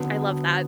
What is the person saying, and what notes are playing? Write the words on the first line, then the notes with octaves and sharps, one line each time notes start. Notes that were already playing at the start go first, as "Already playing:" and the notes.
I love that.
Already playing: D3 F#3 B3